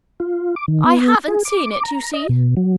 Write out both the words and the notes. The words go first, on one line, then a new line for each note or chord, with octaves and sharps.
"I haven't seen it, you see."
F4
D6
D#3
B3
G#4
D6
A#5
D#5
B2
F#3